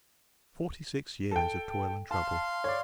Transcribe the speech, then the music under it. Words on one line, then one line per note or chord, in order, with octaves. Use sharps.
Forty-six years of toil and trouble!
A4 G5
F5 A5 C6
C#5 D5